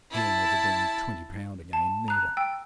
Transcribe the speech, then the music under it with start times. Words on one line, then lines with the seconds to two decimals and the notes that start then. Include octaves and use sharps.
He'll never bring twenty pound again, neither.'
0.11 E4 A5
1.73 A5
2.08 A#5 F#6
2.37 G5 E6